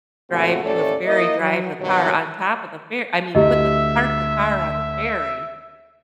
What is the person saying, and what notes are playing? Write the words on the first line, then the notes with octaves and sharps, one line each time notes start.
drive to a ferry, drive the car on top of the ferr I mean, put the park the car on the ferry.
F#2 A#2 C#3 A3 C4 F#4
D#2 A2 A3 C#4 A4 D5
A#3 E4 A#4 D#5
F#3
G2 B2 D#3 F#3
D2 E4 G4 D#5 E5